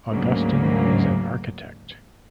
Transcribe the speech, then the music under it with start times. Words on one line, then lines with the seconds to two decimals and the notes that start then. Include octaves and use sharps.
Augustin is an architect.
0.10 D2 G#2 C#3 F#3 A#3